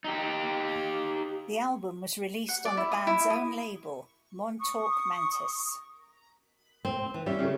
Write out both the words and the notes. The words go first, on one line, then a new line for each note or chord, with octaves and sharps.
The album was released on the band's own label, Montauk Mantis.
D#4 G4
F#5
D5
E4
D#6
E4
D#6
C#6 D#6
C4
E3
G3 C#4 G4 E5
C#3 A3